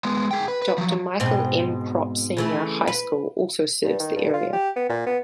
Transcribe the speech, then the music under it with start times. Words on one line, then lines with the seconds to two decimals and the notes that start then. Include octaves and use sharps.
Doctor Michael M. Krop Senior High School also serves the area.
0.05 G#3 B3
0.31 G#4 G5
0.48 B4
0.62 B4
0.78 F3 F#3
1.20 G#2 B2 C4
2.37 C#3 E3 A3
2.88 B4
3.84 G2
4.00 D#3
4.16 G2
4.33 F4
4.53 G4
4.76 B3
4.89 A#2
5.06 B3